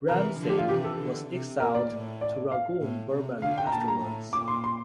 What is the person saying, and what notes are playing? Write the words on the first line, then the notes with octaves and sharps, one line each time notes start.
Ram Singh was exiled to Rangoon, Burma afterwards.
C3 E3 A#4
D3 F3
G4
F4
C3 E3 G4
A4
D3
C3
A#2 A#4
D5
A2
D5
F5
A2
C3
D3 F5
G5
A#5
A#2 A5
A#5
A2
A#2 D6
C6
C6